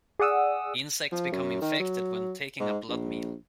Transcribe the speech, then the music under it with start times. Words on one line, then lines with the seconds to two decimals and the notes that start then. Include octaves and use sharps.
Insects become infected when taking a blood meal.
0.19 G#4 D5 F#5 D#6 E6
1.12 F3
1.32 F#2
1.62 D#3
1.80 F#3
2.60 G#2
2.88 A#1